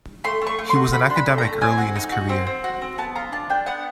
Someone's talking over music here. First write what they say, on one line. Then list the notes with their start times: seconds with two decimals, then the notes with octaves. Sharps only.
He was an academic early in his career.
0.24 A3 C6
0.42 A3
0.47 C#6
0.59 A3
0.70 C6
0.76 F#4
0.93 F#4 B5
1.10 D4 C6
1.16 B5
1.26 A3
1.38 A#5
1.44 A3
1.61 C4 G#5
1.78 F#4
1.96 D#4
2.12 F#4
2.29 C4
2.47 C4
2.64 F#4
2.82 C4
2.98 B3 A5
3.16 F4 A#5
3.32 D4 A5
3.49 D4 G5
3.66 B3 F#5